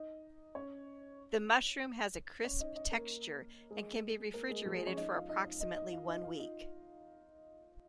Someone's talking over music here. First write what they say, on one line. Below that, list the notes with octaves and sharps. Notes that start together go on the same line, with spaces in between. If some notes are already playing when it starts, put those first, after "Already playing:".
The mushroom has a crisp texture and can be refrigerated for approximately one week.
Already playing: D#4 D#5
C#4 C#5
C#4 C#5
D#4 D#5
D#4 D#5
A#3 A#4
G#3 G#4
A#3 A#4
G#3 G#4
F3 F4
G#3 G#4
C#4 C#5
D#4 D#5
F4 F5
D#4 D#5
D#4 D#5
D#4 D#5
D#4 D#5
F4 F5
D#4 D#5
F4 F5
D#4 D#5